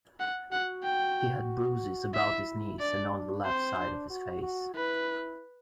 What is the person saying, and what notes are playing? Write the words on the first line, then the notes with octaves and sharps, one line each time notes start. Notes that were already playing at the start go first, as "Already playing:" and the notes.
He had bruises about his knees and on the left side of his face.
F#5
F#4 F#5
G5
E4 E5
D4 D5
C4 C5
D4
F#4
F#4
E4 B4